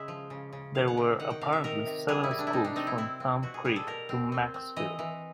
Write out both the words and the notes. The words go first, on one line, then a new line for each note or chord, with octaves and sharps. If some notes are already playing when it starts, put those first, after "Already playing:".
There were apparently seven schools from Thumb Creek to Macksville.
Already playing: C#3 G#3 E5
F3
C#3
C#3
D#3 F5
F#5
C3 G5
D#3 F#5
G5
C3 F5
E5
D#3 A#4
C3
G3 G#4
E4
C3
D4
E4
G3 D#4
D4
C4 D#4
E4
C4 E4
C4
B2 F#4
G#4
G3 G#4
A4
B2 A#4
C4
C4
C4
E3 D#5
E3